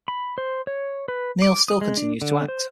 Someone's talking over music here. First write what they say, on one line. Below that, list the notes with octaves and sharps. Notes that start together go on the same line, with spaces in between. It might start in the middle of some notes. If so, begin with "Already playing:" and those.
Neal still continues to act.
B5
C5
C#5
B4
D6
D#6
G#3
D4
D3
C5